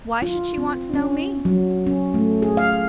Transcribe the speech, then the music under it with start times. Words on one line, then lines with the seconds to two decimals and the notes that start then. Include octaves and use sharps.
"Why should she want to know me?"
0.22 F4
0.58 C4
0.94 C#4
1.45 F#3
1.87 C#4
2.14 A3
2.42 G#4
2.57 F5